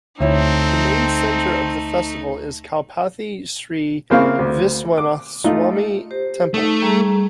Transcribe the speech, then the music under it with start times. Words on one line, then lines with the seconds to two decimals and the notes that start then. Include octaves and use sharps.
The main centre of the festival is Kalpathy Sree Viswanathaswamy temple.
0.21 D2 A3 C4 D#4 E4 C#5 E5
4.10 C#3 A#3 C4 E4 F5 C#6
4.39 D2
4.98 D6
5.44 A3 D#4 F4
6.11 G4 C5
6.54 A3 D#4
6.82 G3 G#4 A#5